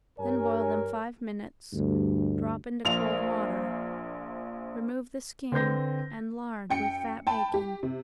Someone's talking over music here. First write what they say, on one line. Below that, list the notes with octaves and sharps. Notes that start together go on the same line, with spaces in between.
Then boil them five minutes, drop into cold water, remove the skin and lard with fat bacon.
G2 A#4 C#5 G#5
D2 G2
A#1 A#4 C5 F5 F7
D3 C4 B4 G6 A#6
F#2 G5 C#7
G5 A5 B5
G4
C3